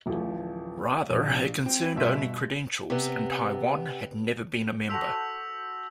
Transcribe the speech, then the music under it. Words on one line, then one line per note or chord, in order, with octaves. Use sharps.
Rather it concerned only credentials and Taiwan had never been a member.
D1 A1 F3 A3
A#1
C4
G1 B2 E5 C6
C3 B3
F#4 A4 C5 E6 B6 F7